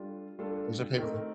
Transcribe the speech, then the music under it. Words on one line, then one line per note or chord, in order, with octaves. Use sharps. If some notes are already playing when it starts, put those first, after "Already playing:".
Or is it pay-per-view?
Already playing: G3 D4 F4 A4
G3 D4 F4 A4
D#3 A3 C4 D#4 A#4